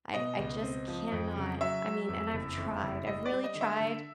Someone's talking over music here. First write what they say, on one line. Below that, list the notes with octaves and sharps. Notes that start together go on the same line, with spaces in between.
I I just cannot I mean, and I've tried I've really tried
B2 D#5
C#2
C4
F3
F2
C#3
F#3 E5
F#3
F2
F#1
F2
F#1
G3 D#5
D5
G3
D#5
D3
E5
D3